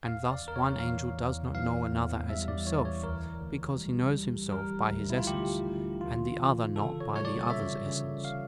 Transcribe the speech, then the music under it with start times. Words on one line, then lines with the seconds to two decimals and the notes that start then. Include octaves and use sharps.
And thus one angel does not know another as himself, because he knows himself by his essence, and the other not by the other's essence.
0.06 E2 F5
0.31 D5
0.43 E2
0.48 A#4
0.56 C#5
0.80 E3 F5
1.17 E2
1.55 E3 F5
1.92 E2
2.29 G3 E5
2.48 D5
2.66 E3 C#5
2.85 C#5
3.04 D2 A#4
3.41 D2
3.78 G3
4.16 G3
4.52 G3 A#4
4.90 D2
5.10 E4
5.18 F4
5.27 D2 G4
5.64 D3
6.01 E3 F4
6.39 E3
6.76 C#3 A4
7.01 C#5
7.13 G3 C#5
7.25 D5
7.50 C#3 E5
7.87 C#3
8.25 F5